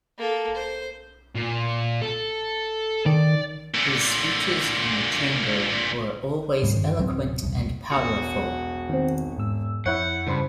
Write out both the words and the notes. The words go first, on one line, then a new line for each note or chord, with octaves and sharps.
His speeches in the chamber were always eloquent and powerful.
A#3 A4
C5
A#2
A4
D#3 D5
A#2 D3
D2 G#2 G3 C4
G2 D#3
D1 F#3 C4
E1 C2
E1 F#4 D#6
D#3 C4
G#2 E6
F2 E4 C#5 F#5 F#6 G6
G2 C#3 C5 B5